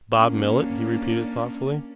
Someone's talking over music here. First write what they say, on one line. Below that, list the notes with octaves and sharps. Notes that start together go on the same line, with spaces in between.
"Bob Millet," he repeated thoughtfully.
A#3 C#4 D4